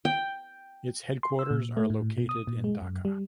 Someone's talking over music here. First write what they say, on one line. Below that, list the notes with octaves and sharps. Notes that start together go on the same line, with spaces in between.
Its headquarters are located in Dhaka.
G5
C6
E6
A#2
A3
A2
B2
D#6
A#2
G#3
F#2
G3